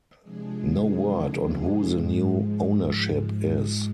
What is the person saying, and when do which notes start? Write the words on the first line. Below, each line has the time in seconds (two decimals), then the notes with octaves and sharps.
No word on who the new ownership is.
0.21 C3 F3 G#3 D4 G#4
1.93 G#2 F3 G#3